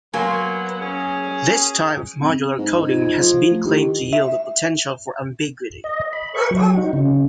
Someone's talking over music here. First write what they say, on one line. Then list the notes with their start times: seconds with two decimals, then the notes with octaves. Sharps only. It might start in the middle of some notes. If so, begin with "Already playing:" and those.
This type of modular coding has been claimed to yield a potential for ambiguity.
0.14 F#3 A#3 B3 G#5 C6
0.81 C#4 G#4
2.21 C4
2.59 G#2
2.89 F4 G#6
3.20 F3
3.52 A3
3.66 D#3 D#4 E4 G4
4.13 E5
5.84 D#5
6.13 B5
6.35 C#6
6.51 F#3
6.77 D#4
6.93 C#3